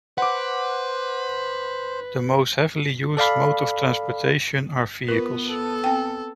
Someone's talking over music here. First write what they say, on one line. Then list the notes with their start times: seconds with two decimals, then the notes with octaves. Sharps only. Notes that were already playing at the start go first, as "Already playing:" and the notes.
The most heavily used mode of transportation are vehicles.
0.18 B4 C5 F#5 D6
3.17 A4 D5 F5 B5
5.08 B3 F4 A#4 B4
5.48 A4
5.84 C4 G5